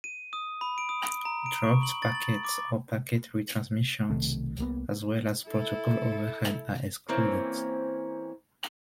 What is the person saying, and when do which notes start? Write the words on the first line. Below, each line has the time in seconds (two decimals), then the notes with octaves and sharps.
Dropped packets or packet retransmissions as well as protocol overhead are excluded.
0.04 D#7
0.33 D#6
0.61 B5
0.78 D7
0.89 D#6
1.25 A#5
1.46 D7
1.64 C#6
1.83 F#7
2.02 A6
2.15 F#7
2.45 D6
4.09 B1 C3 D#3 A3
4.59 C2 A#3 B3
5.49 E4 A4
7.09 E3 A#3 C4 C#4